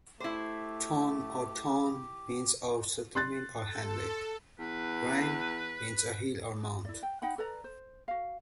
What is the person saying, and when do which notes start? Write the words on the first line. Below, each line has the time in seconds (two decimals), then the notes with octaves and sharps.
"Tun" or "ton" means a settlement or hamlet, "rhyn" means a hill or mount.
0.20 A3 E4 G4 C5
3.15 C6 F#6 A6
3.62 A4
4.59 E2 B4
6.85 E4 D5
7.03 G5
7.22 D#4 F#5 G5 B5
7.38 A4 B4 D5 A#5
7.64 C5
8.08 F#4 F5